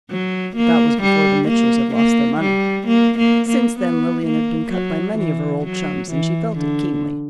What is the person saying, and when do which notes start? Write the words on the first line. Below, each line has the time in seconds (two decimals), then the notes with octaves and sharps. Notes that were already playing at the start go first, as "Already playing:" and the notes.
But that was before the Mitchells had lost their money. Since then Lilian had been cut by many of her old chums and she felt it keenly.
0.10 F#3
0.57 A#3
1.02 G3
1.48 A#3
1.95 A#3
2.41 G3
2.87 A#3
3.18 A#3
3.49 A#3
3.79 B3
4.26 A#3
4.72 F#3
5.18 E3
5.65 F#3
6.11 E3
6.57 D3